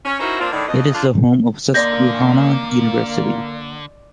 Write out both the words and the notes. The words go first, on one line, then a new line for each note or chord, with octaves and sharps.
It is the home of Susquehanna University.
C#4
C#4 D#4 E4 F#4 A#4 C5
F3 A#3 C4 D4 F4
A2 D3 D#3
F2 D#5
D3 F3 D4 F4
D3 A#3 D5 D#5 C6 G6 A#6